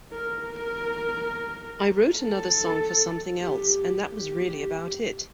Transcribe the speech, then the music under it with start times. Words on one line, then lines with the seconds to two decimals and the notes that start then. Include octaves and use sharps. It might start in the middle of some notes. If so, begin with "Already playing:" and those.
I wrote another song for something else and that was really about it.
0.11 A#4
0.42 A#4
2.20 A4
3.40 G4
3.99 G4